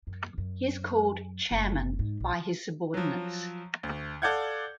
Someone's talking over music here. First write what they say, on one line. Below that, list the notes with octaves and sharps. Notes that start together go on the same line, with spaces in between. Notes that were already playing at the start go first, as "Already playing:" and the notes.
He is called "Chairman" by his subordinates.
F#2
F#2
F#1
G#2
A#1
F3 F#3
D2
A4 D5 F5 F#5 G6 G#6